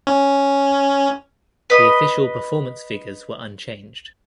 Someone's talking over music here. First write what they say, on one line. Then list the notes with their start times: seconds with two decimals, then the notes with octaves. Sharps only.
The official performance figures were unchanged.
0.07 C#4
1.70 B4 D#5